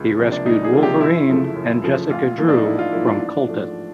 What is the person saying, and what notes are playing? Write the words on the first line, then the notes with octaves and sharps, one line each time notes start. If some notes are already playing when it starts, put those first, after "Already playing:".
He rescued Wolverine and Jessica Drew from cultists.
Already playing: C#2
C3 F3 A#3
D4
C#2 D#4
G#4
C3 F3 A#3
G4
F#2 E4
C#3 F3 A3
F#2
C#3 F3 A3
A1 F4
G#2 F3 A#3
D4
D#4
A1 E4
F4
G#2 F3 A#3 E4
D4
A1
G#2 F3 A3